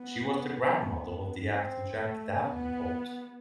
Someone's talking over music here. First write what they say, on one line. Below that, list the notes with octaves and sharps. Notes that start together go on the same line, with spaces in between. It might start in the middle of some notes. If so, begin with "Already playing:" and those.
She was the grandmother of the actor Jack Davenport.
Already playing: B3
C4
A3
B3